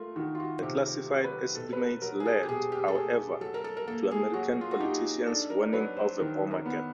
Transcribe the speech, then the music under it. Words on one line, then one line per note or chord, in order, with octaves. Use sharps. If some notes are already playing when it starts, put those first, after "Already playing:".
The classified estimates led, however, to American politicians warning of a "bomber gap".
Already playing: A3 F4 A#4
D#3 F#4
F4
F#4
C3 G4
G4
F#3
B4
B2 A4
B4
A#4
F#3 A#4
G#4
A4
G4
B2 G#4
G4
A4
A3 G#4
F#3 A4
A#4
A4
A#4
A#3 A4
G#4
F#3 F#4
F4
F#4
D#4 G4
D4 A4
A#4
F#3 B4
C5
D#3 A#4
A#4
B3